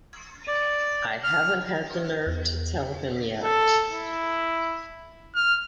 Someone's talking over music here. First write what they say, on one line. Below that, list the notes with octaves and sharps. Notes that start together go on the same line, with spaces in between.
I haven't had the nerve to tell him yet.
D5
F6
E2
A4
E4
F6